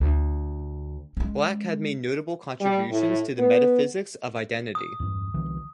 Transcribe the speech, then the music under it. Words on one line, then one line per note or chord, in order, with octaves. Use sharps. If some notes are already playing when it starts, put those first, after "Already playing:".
Black had made notable contributions to the metaphysics of identity.
D2
G#3 C#4
G3
A2
B3
D#6
E2 G2
C2 D3 E3